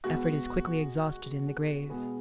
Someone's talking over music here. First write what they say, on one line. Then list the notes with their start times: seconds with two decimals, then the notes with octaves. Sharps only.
Effort is quickly exhausted in the grave.
0.04 B2 G#3 B3 F#4
1.89 B2 G#3 B3 G#4